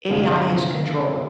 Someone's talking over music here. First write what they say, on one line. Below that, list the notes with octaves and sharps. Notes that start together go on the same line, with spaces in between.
AI is controlling?
G1 C2 C3 G#4 F5